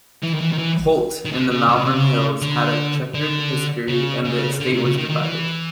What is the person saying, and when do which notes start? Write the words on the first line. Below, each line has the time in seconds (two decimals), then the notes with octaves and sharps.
Holt, in the Malvern Hills, had a chequered history and the estate was divided.
0.22 E3
0.34 D#3
0.40 E3
0.52 D#3
0.58 E3
1.25 D#3
1.32 D3
1.50 C#3
1.68 C#3
1.76 C3
1.84 C#3
2.42 D3
3.14 D3
3.88 C#3
4.24 C#3
4.60 D3
4.73 C3
4.85 C#3
4.98 D#3
5.10 D#3
5.22 E3